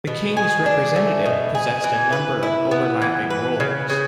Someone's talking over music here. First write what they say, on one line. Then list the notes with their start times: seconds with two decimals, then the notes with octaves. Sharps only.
The King's representative possessed a number of overlapping roles.
0.07 B2
0.37 G#4
0.66 D4
0.96 A3
1.26 B2
1.55 G#4
1.84 E3
2.12 B4
2.43 E4
2.71 B3
3.02 E3
3.30 B4
3.60 C#3
3.90 C#3